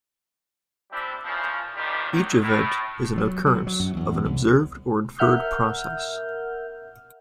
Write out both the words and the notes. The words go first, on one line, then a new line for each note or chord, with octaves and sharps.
Each event is an occurrence of an observed or inferred process.
G3 C4 D4 E4 G4
A#2 C#3 E3 F3
B1 D#3 F3 G3 D4 G4
D#3 F#3
A2
F#3
F#3
F#3
F#2
E2
C2
A#4 E5 F#5 F6 G6